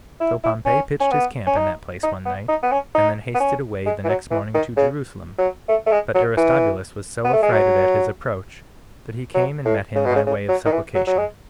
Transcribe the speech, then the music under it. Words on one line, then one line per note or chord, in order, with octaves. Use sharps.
So Pompey pitched his camp in that place one night, and then hasted away the next morning to Jerusalem; but Aristobulus was so affrighted at his approach, that he came and met him by way of supplication.
E4
E4
C#4
C#4
B3
C#4
D#4
D#4
B3
D#4
B3
C#4
D#4
B3
C#4
G#3
E3
F#3
E3
D#3
C#3
F#3
A3
A3
G#3
F#3
E3
B3
A3
G#3
F#3
F#3
A2
C#3
B2
C#3
C#3
F#3
D#3
E3
F#3
F#3
G#3